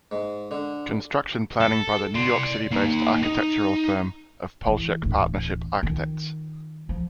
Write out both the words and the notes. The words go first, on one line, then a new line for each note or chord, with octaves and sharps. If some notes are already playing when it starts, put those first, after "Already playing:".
Construction planning by the New York City-based architectural firm of Polshek Partnership Architects.
G#2
D3
A4
D5 C6
A#3 D#4
D#4
E3
D1 E3
D#3 F4
F3